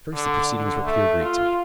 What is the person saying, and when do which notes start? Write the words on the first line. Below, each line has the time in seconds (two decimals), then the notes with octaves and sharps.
At first the proceedings were pure Greek to me.
0.13 D3
0.54 D3
0.84 A3
1.21 F4